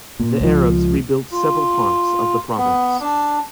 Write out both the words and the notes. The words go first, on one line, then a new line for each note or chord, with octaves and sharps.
The Arabs rebuilt several parts of the province.
A#2
C#2 F3
F4
B3
D4